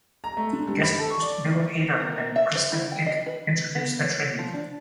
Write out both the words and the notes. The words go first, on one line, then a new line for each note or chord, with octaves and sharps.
Guest host Bill Hader and Kristen Wiig introduced the tribute.
A#5
A3
D3
G2
B5
A4
C#6
D5
A#4
A#3
E5
C5
E4
G5
D#5
B4
B3
C#5
F3
D4